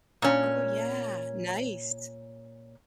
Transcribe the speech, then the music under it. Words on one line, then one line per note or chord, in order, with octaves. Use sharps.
oh yeah, nice.
A#2 C#4